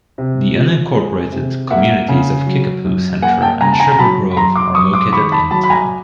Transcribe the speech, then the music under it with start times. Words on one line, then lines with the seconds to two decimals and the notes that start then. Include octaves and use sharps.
The unincorporated communities of Kickapoo Center and Sugar Grove are located in the town.
0.18 C3
0.56 F3
0.94 G#3
1.32 C3
1.71 A#3 E5 F#5
2.09 C#3
2.46 F#3
2.85 F#2
3.22 A#3 F#5 G#5
3.42 G5 A5
3.61 C#3 G#5 A#5
3.72 A5
3.80 G#5 A#5
3.92 A#5
3.99 F#3 A5 B5
4.32 B5
4.36 F#2 A#5 C6
4.56 C6 D6
4.75 F#2 C#6 D#6
4.94 C6 D6
5.12 D#3 B5 C#6
5.32 A5 B5
5.51 F#3 A5 B5
5.64 B5
5.70 G#5 A#5